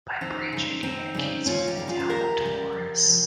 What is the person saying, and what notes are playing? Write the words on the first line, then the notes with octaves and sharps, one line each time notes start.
By bridge it communicates with the town of Dolores.
D#2 C4 D#4
C#3 G3
D#2 C4 D#4
C#3 G3
D#2 C#4 F4
D#4 G4
C#3 G3
F4 G#4
C5
D#2 G4 A#4
C#3
G3
F2
C3 F3